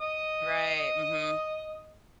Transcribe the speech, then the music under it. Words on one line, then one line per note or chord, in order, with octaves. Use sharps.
Right, mhm.
D#5 D#6